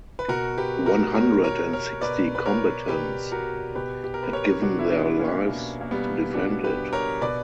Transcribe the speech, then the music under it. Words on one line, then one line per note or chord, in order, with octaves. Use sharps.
One hundred and sixty combatants had given their lives to defend it.
B4
B2 F#4 A#4
G4 B4
F#4 A#4
B2 A#4 C#5
A#4 C#5
A#4 C#5
B2 B4 D5
B4
A#4 C#5
B2 G4 B4
F#4 A#4
B2 G4 B4
G4
A#4
B4
A#4 C#5
B2 D4 F#4
E4
B3 D4
A#3 C#4
B2
A#3
G3 B3
B2 D4 F#4
G4 B4
A#4 C#5
B2 B4 D5